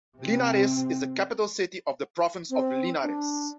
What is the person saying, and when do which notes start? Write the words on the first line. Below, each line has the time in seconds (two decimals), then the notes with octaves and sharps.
Linares is the capital city of the province of Linares.
0.18 C3 C4
2.50 C4
3.02 D4